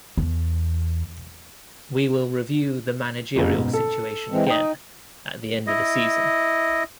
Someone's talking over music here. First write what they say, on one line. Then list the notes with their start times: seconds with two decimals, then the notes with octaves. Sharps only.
We will review the managerial situation again at the end of the season.
0.17 E2
3.36 F#1 F2
3.53 G#2 B2
3.73 A4
4.31 E3 G#3 C4
4.47 D#4 G5 D#6
5.67 E4 D#5